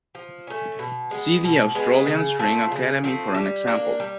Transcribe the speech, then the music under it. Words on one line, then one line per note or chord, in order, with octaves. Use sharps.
See the Australian String Academy for an example.
F3
A3 C#4
B2
G#3 B3
B2
G#3 B3
C#3
F3 A3 C4
C#3
F3 A3 C4
G3
A#3 D4
G3